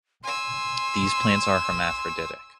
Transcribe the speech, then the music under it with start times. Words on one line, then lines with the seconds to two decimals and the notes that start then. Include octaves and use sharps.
These plants are hermaphroditic.
0.24 G#5 C6 E6